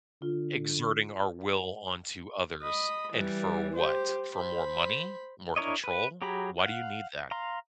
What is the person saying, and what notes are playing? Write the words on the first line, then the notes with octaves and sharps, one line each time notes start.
Exerting our will onto others, and for what? For more money? More control? Why do you need that?
D3 F4
D#5 B5
E3 G3
G4 C5
C5 B5
D4 E4 A#4 C#5 D#5
B4
F#3 G4 G#4 A#5 B5
F5 F#5
F5 A#5 C6